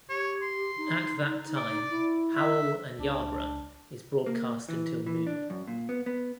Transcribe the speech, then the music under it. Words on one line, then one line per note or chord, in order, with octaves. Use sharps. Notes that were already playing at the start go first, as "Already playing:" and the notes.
At that time, Howell and Yarbrough is broadcast until noon.
G4 C#5
C6
D#4
D5
E4
E5
C#2 D4
A#3
E3
E3
D4
F#2
A#2
B3
B3